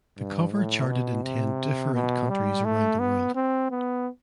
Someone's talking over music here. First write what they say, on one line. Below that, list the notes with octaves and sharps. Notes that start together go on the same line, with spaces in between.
The cover charted in ten different countries around the world.
G2
A2
B2
C3
B2
G3
A3
B3
C4
B3